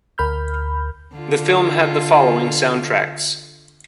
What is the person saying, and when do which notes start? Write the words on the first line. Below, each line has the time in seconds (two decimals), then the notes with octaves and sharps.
The film had the following sound-tracks.
0.18 D2 A#4 B5 F6 G6
1.15 D3 F4